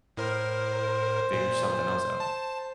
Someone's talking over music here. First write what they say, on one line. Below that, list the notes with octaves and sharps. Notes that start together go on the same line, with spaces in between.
figure something else out.
A2 A#4 C5
A#2
A5